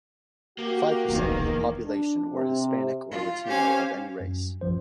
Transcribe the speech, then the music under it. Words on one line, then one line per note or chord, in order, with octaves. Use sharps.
Five percent of the population were Hispanic or Latino of any race.
A#3 F#4 G4
D#1 B1 E2 D#3
D4
C3
F4
C#4 G4 C5 F5 G#5
F#2
A1 F#2 F3 C5